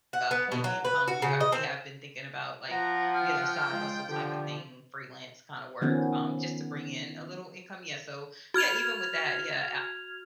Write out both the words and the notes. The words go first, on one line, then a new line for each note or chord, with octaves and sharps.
uh, point of income, we are we have been thinking about, like, you know, side hustle type of thing, freelance kind of work, um, just to bring in a little income, yeah, so, yeah, even with that, yeah,
F#5
B3
B2
F#3
B4
F#4
C#3
D#5
C4
F3 F#5 A#5
G5 F6
G#3 F4
D3 F3 G4
D#3 F3 B3 C#4
F#4 F6 G#6 F7